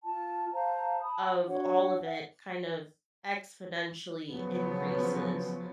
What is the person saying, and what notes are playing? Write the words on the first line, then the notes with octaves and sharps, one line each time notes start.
of all of it kind of exponentially increases.
F4 A5
C5 F5 A5 A#5
A5 B5 D#6
D4 F#4 C#5 F#5
E5 F#5
C#3 F3 F#3 B3